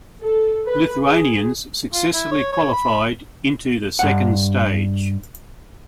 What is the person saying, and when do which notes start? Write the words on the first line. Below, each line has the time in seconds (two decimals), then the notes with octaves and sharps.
Lithuanians successfully qualified into the second stage.
0.23 A4
0.67 B4
1.04 G#4
1.94 F4
2.14 E4
2.31 C#5
2.53 C#5
2.73 B5
3.99 G2 F#5